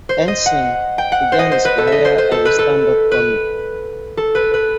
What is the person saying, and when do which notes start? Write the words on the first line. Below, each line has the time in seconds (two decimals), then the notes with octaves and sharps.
Henson began his career as a stand-up comic.
0.09 C5
0.28 D#5
0.46 F#5
0.98 G5
1.12 F#5
1.32 C5
1.39 D#5
1.51 C5
1.65 B4
1.78 A4
1.87 D#5 E5
2.05 C5
2.18 C5
2.32 A4
2.45 B4
2.59 A4
3.11 B4
4.17 A4
4.35 B4
4.54 B4